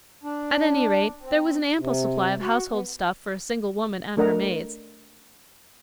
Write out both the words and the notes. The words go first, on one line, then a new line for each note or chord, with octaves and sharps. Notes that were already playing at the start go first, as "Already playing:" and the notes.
At any rate, there was an ample supply of household stuff for a single woman and her maids.
D4
C4
C3
F#4
B3
A3 D4 A#4 D#5 F#5 A#5